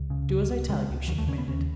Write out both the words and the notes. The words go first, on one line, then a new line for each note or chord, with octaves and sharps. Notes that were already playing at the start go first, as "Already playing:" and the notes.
"Do as I tell you," she commanded.
Already playing: C#2
C#3
C#2
C#2
C#3 G#3
C#2
D#2 F#3
A3
C#3 C#4
B3
D#2 C#4